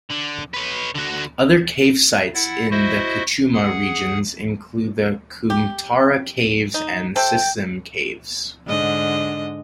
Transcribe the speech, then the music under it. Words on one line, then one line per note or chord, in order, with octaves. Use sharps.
Other cave sites in the Kucha region include the Kumtura Caves and Simsim Caves.
D3
B4 C#5
D3 F#4
E4 F#5 A6
E4 F#4 C5 D#5 E5
G#4 F#5
G4
D#4
C3 C4 A4 G5
G#2 D3 D#5